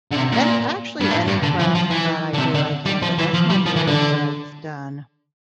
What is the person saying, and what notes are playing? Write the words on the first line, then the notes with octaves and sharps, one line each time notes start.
any actually, any craft that I do, I can, but that's my newest I've done.
D3
C3
A#2
G2
A2
G2
D3
F3
F3
E3
D3
C3
D3
G3
F3
E3
F3
G3
F3
E3
D3